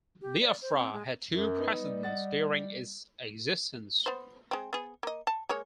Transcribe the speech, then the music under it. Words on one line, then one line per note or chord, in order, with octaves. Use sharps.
Biafra had two presidents during its existence.
G4
D5
C5
C4
G#3
F#2
B3 D#4 B4
G3
D#5 F#5 A6
B3 C5
G#3 C4
B3 G#4
A#3 D#5
A5
G#3 A#3 C#5